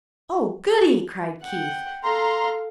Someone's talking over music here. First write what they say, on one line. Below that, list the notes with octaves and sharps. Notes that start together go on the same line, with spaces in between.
"Oh, goody!" cried Keith.
F#5 G5
A4 F5 A#5 C6